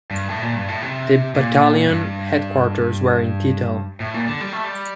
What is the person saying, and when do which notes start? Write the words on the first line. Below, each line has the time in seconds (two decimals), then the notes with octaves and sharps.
The battalion headquarters were in Titel.
0.11 G2
0.29 A2
0.42 A#2
0.55 G2
0.68 A2
0.82 C3
1.35 A#2
1.88 G2
4.00 A2
4.14 A#2
4.27 D3
4.41 G3
4.52 A3
4.64 G3